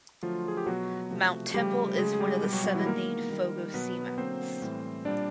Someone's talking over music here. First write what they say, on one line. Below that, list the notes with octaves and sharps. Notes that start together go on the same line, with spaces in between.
Mount Temple is one of the seven named Fogo Seamounts.
D3 F3 F#3 A3 F4
G#4
G4
B2 F#3 B3 F#4
C3 F3 A3
C#3 F3 G3 A3 G4
C#3 F#3 G#3 A3 G#4
G#4
G3 G4
B2 G3 B3 G4
F#3 F#4
F#3 F#4
E3 E4
D#3 G#3 A#3 B3 A#4
D#3 G3 A#3
B2 F#3 B3 B4
D3 F#3 A#3 C4 C5
A2 E3 G3
A#2 G3 A#3 D4 D5